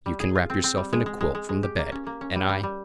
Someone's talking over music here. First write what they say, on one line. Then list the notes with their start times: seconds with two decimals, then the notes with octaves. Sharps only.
You can wrap yourself in a quilt from the bed, and I ...
0.06 G3
0.20 G#4
0.35 F4
0.50 C4
0.64 C4
0.77 G3
0.93 G#3
1.06 G#3
1.21 G#3
1.35 G#3
1.49 G#3
1.63 G4
1.78 A#3
1.92 C#4
2.07 A#3
2.21 C#4
2.36 G3
2.49 G3
2.63 G3